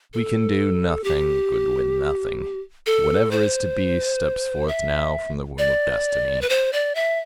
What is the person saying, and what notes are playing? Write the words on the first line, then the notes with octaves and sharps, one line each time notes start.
"We can do nothing, Goodwin--nothing. Whatever is to be steps forth now from the womb of Destiny."
A4
G4
A4
C5
E5
D5
B4
C5
D5
E5